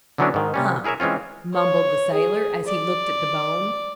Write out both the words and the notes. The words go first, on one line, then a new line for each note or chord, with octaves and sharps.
"Hum!" mumbled the sailor, as he looked at the bone.
D3 E3 F#3 B3 C#4 D4
G#2 D#3
C3 G3 C#4
E4 G#4 A#4 C#5 E5
E3 G#3 C4 C#4 F4
C#5
G#4
D5